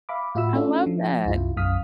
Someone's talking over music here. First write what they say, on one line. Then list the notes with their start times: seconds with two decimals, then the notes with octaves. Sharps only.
I love that.
0.09 E5 F5 B5 D6
0.35 A2 F4 F#4 E5 B5 E6
0.53 A3 C#4 D4 E4 F4 A4
0.86 F3
1.25 C2 F#2 C3 E4 F4
1.57 B1 F#2 F5 D#6 F6 B6